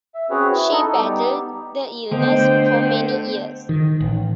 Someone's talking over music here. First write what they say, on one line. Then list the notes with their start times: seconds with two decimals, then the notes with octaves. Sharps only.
She battled the illness for many years.
0.15 E5
0.30 C4 C#4 F#4 G#4 B4 C#5
0.53 E4
0.72 D#4 A4 D#5
0.94 G3 B3 D#4 G4
2.11 D3 A3 B3 C5 D#5 G5
3.69 D#3
4.00 A1